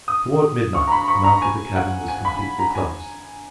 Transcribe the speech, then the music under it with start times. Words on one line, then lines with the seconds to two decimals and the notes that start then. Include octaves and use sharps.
Toward midnight the mouth of the cavern was completely closed.
0.08 D#6
0.75 C#6
0.87 A#5
0.92 B5
1.08 C#6
1.24 A#5
1.42 G#5
1.76 F#5
2.08 G#5
2.25 B5
2.59 A#5
2.75 G#5